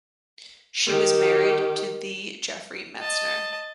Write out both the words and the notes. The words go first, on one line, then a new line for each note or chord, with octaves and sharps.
She was married to the Jeffrey Metzner.
D#3 G4
D#5 A5